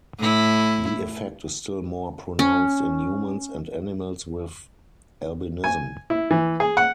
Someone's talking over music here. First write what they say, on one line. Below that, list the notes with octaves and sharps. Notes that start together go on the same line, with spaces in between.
The effect is still more pronounced in humans and animals with albinism.
A2 E4
C#4
G#5
E4
E3
G#4
F#5